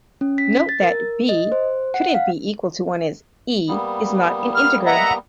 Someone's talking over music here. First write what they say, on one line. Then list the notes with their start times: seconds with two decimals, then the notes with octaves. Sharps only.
Note that "b" couldn't be equal to one as "e" is not an integer.
0.21 C#4
0.38 B6
0.69 A6
0.83 A#4
1.29 D#5
1.52 C5
1.94 F#5
2.14 F5
3.68 G3 A#3 B3
4.55 F6
4.86 D#5 E5 F#5 A#5